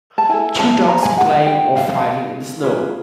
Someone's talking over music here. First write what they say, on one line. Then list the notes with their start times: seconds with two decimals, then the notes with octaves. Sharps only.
Two dogs playing or fighting in the snow.
0.18 A5
0.29 E4 A4 G#5
0.59 A5
0.88 A#5
1.03 G#5
1.17 F#5
1.31 F#5
1.46 G5
1.75 F5
2.63 F4 G#4 B4